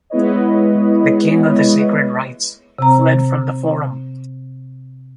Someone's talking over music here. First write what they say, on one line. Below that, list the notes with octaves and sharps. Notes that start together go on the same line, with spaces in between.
The King of the Sacred Rites fled from the forum.
G#3 B3 E4 B4 C#5 D#5
C3 C4 A#5